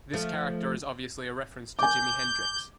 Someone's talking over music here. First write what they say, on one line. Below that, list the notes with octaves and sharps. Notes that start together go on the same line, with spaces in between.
This character is obviously a reference to Jimi Hendrix.
F3 A3
G#5 D6 G6